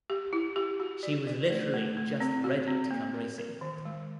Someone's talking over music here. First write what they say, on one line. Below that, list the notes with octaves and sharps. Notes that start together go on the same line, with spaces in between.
She was literally just ready to come racing.
G4
E4
G4
F#4
D5
D5
A3
A3
A3
C4
F#4
C4
A#3
A#4
A#4
D#3
G#3